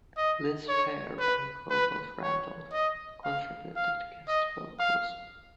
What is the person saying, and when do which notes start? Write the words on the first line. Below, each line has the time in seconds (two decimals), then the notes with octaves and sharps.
Liz Phair and Robert Randolph contributed guest vocals.
0.17 D#5
0.69 C#5
1.20 B4
1.71 B4
2.22 C#5
2.73 D#5
3.24 F5
3.76 F5
4.28 D#5
4.79 F5